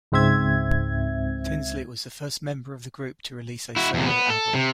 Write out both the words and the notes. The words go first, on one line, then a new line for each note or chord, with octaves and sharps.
Tinsley was the first member of the group to release a solo album.
C#2 G#2 C4 E5 G#6
E4 F#4
E2 C3
B3
A4
C3